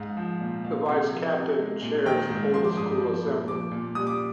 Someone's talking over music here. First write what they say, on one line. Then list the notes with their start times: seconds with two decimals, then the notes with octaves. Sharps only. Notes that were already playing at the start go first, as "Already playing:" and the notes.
The Vice-Captain chairs whole school assemblies.
Already playing: G#2 F5
0.17 F3
0.41 A#2
0.64 D#3 F5
0.88 C3
1.11 F3
1.36 C3
1.59 G#3
1.82 A#2
2.06 D#3 G5
2.30 G#2
2.53 F3 C6
2.64 D6
2.77 G2 D#6
2.89 D6
3.00 F3
3.24 A#2
3.48 F3 D6
3.71 A#2
3.95 G3 D#6
4.07 D6